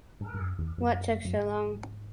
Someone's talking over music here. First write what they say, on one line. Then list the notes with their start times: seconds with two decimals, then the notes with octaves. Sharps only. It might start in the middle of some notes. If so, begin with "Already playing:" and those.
What took so long?
0.21 G#2
0.34 G#2
0.40 F#2
0.59 E2
0.78 F#2
1.25 F#2
1.36 G#2